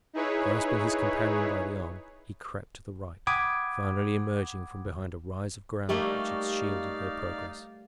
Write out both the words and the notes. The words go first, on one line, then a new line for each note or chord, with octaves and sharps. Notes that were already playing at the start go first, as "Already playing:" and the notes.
Grasping his companion by the arm, he crept to the right, finally emerging from behind a rise of ground which had shielded their progress.
D#4 E4 G#4 B4 C#5
F#5 G5 B5 D6 D#6 G#6
G3 A3 A#3 D#4 G4 D5 F5 C#6